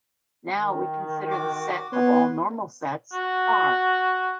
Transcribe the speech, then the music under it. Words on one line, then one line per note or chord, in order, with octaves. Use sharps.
Now we consider the set of all normal sets, "R".
D#3
F#4 D6
B3 B4 C#5 C6
F#4